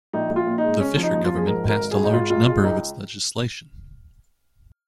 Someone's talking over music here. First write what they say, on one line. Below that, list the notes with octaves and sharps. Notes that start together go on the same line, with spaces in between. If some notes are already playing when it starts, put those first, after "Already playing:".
The Fisher government passed a large number of its legislation.
A#1 D#4
A#1
F4
A#2
D#4
G#3
C#3 C#4
F3
D#4
D#2
F4
F3
G#4
G#2 A#4
G#1 A#4
G#1
G#4
G#1
D#4
G#3 F4
C#2 F4
G#3 F4
C#2 D#4